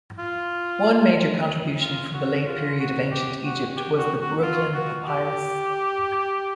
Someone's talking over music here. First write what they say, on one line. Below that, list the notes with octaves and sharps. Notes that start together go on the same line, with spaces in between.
One major contribution from the Late Period of ancient Egypt was the Brooklyn Papyrus.
F4
F4
F#4
F4
F#4
G4
F#4
G4
F#4
F#4
F4
F#4
G4